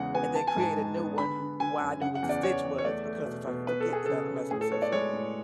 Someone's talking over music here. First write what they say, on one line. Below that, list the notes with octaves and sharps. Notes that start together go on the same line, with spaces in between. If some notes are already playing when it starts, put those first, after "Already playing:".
and then create a new one while I knew what the stitch was because if I forget, then I'd have messed myself up,
Already playing: E2 C#3 G#3 F#5
B3 G#5
B3 A5
G#5
G#2 A5
G#3
B3
D3 B5
D3
D3 G#5
F#2
C#3 F#5
F#5
E2
D5
E2 C#5
E2
C#5
A3 D5
A3
B2
B2
B3 B4
A4
B3 G#4
C#3 A4
C#3
A2 G#4
A4
B3 C#5
D5
G#3 C#5
A2